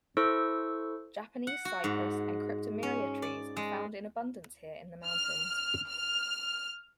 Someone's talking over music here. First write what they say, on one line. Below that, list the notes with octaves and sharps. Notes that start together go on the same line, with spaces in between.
Japanese cypress and cryptomeria trees are found in abundance here in the mountains.
E4 A4 C5 C#6 E6
F#5
F#4
G#2
C#4
D5
G#3
F6
F6